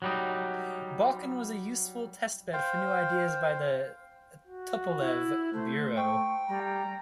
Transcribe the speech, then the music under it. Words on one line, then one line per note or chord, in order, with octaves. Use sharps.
Balkan was a useful test-bed for new ideas by the Tupolev bureau.
F#3 G3 D#4
C5 F5 G5
F#4
E4
A3 C5
G5 C#6
G3 A#5